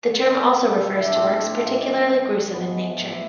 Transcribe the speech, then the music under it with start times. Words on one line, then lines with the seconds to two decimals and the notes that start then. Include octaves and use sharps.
The term also refers to works particularly gruesome in nature.
0.23 B2 A4
0.69 B2 A4
0.95 E4
1.06 D4
1.15 A2 C4
1.38 F3
1.61 G#2 C4
1.84 F3
2.07 B2
2.53 G#2 B3
2.76 E3
2.99 A2